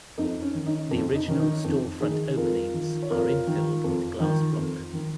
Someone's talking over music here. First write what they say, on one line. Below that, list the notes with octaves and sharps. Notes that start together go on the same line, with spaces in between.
The original store front openings are infilled with glass block.
F2 D#4
C#4
D#3
D#4
F2
D#4
D#3 C#4
D#4
F2
D#3 D#4 G#4
F2 F4 A#4
D#3
C#5
F2 F4 A#4
D#3
F2
D#3
F2
D#3